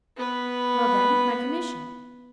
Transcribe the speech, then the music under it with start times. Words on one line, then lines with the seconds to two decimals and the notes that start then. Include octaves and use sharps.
"Well, then,--my commission?"
0.17 B3 B4